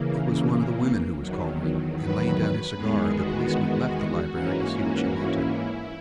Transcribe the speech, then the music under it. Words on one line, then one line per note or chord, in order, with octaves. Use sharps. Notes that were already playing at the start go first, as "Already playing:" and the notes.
It was one of the women who was calling, and, laying down his cigar, the policeman left the library to see what she wanted.
Already playing: C#3 E3 A#3
E2 D#3 F#3
B4
E2 D#3 G#3 B3 G#4
F#4
G#2 E3 A#3 C#4
E4